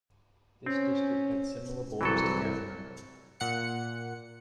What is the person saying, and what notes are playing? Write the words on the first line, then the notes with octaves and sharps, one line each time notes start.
This district had similar borders to Gatineau.
C4 C#4
C2 E3 F#3 A4
A#2 F#5 C#7